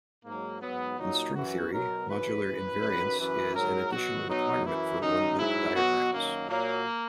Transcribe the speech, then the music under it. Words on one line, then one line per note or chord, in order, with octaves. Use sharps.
In string theory, modular invariance is an additional requirement for one-loop diagrams.
G#2 F#3 A#3
G#2 F#3 B3
A#2 F#3 D#4
F#2 E3 F#4
B2 F#3 A#4
F#2 C#3 E3 B4
F#2 E3
F#2 D#3 F#3 B4
F#2 E3 B4
G#2 F#3 A#4
B2 F#3 F#4
B2 F#3 D#4
F#2 E3 E4
F#2 D#3 F#3 D#4
G#2 F#3 E4
B2 F#3 F#4
F#2 D#3 F#3 A#3
A#2 F#3 A#3